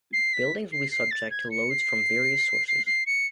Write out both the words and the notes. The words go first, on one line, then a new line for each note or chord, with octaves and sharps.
Buildings will be subject to loads from various sources.
C7
B6
C7
C7
A6
G#6
C#7
C7
C7
C7
C#7